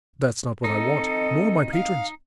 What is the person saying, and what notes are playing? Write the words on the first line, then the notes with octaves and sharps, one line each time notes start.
That's not what I want, nor my patrons.
C4 D#4 A4 D#5
F5